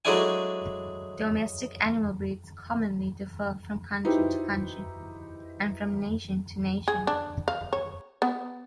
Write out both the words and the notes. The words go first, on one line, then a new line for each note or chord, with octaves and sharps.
Domestic animal breeds commonly differ from country to country, and from nation to nation.
F#3 G#3 A3 D4 E4 G#5
D#4 E4 F#4 G4 B4 C5
G#4
D4
F5
C#5
B3